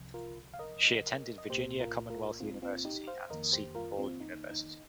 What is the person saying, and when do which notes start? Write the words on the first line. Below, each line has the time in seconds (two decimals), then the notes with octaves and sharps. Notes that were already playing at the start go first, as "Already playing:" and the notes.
She attended Virginia Commonwealth University and Seton Hall University.
Already playing: C2 C3 F3
0.14 F4 A#4
0.54 F5
0.59 A#4 D#5
1.38 D#5
1.49 C2 A#2 A#3 G4 C5
1.80 F4 A#4
2.10 F4 A#4
2.40 C4 F4
2.62 C4 F4
2.85 D#4 G4
3.07 C5 F5
3.30 F2 D#3 A#3 A#4 D#5
3.53 G4 C5
3.75 F4 A#4
3.98 C4 F4
4.20 D#4
4.51 D#4